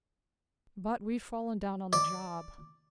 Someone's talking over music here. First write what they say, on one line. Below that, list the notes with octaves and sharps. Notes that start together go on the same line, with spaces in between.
But we've fallen down on the job.
D5